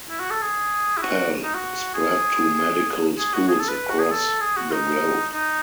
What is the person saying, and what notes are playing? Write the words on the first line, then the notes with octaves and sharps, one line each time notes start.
Pel, spread to medical schools across the globe.
E4
F#4
A4
G#4
E4
F#4
D#4
F#4
G#4
G#4
F#4
G#4
A4
B4
F#4
G#4
A4
G#4
F#4
D#4
D#4